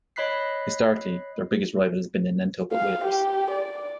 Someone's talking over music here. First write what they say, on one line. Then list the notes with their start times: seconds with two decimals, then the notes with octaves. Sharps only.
Historically, their biggest rival has been the Nantucket Whalers.
0.16 C#5 D#5 B5 F#6 B6 C7
2.73 F5
3.04 G4
3.51 D5